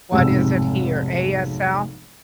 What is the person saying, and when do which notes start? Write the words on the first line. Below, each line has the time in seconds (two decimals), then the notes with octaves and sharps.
What is it here? ASL?
0.12 F1 B1 G#2 C3 E6